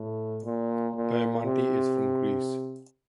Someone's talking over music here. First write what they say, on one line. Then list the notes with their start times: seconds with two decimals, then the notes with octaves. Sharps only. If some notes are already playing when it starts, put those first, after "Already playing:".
Diamanti is from Greece.
Already playing: A2
0.44 A#2
0.95 A#2
1.45 C3